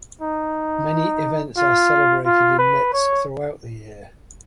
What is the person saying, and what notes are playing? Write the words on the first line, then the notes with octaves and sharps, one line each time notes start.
Many events are celebrated in Metz throughout the year.
D#4
F4
F4
B4
C#5